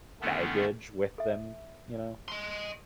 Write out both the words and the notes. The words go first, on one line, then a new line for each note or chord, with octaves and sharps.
baggage with them, you know.
D3 D#3 A3 B3 C#4 D4
A4 E5
D#5 C6